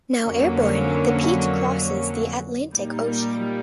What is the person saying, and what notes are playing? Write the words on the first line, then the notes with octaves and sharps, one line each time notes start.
Now airborne, the peach crosses the Atlantic Ocean.
F2 D3 F#3 A#3 C#4
A#2 G3 A#3 D#4